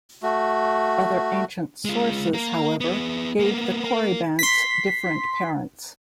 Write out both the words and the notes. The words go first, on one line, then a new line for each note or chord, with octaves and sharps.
Other ancient sources, however, gave the Corybantes different parents.
A3 F#4
G#3 F4
A#3 A#4
B3 G#4
A#3 B3
A#3
C6 B6